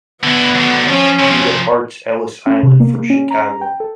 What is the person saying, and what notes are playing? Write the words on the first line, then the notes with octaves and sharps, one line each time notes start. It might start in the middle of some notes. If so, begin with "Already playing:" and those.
He departs Ellis Island for Chicago.
D3 B3 E4
F#2 D3
F3 C#4
C3 F3
C#4
C3
A#3
A#3
C#4
A#5
G5
A4